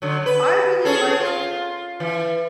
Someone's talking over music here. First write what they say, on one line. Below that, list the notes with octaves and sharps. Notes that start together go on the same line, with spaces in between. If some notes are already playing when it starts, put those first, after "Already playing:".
I really like,
D3 F#3
B4
C#4 G#4 A4
F4
E3